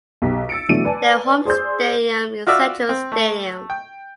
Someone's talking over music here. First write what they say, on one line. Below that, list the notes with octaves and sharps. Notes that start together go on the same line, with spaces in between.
Their home stadium is Central Stadium.
B1 G4 B6
E6 A6 C#7 D7
B2 E3 F#3 A3 D4 D#7
B4 D5 G#5 A5
G#4 C5 D5 C6 E6 G6
F4 F#4 D5 E5 E6 F6
C4
A3
G5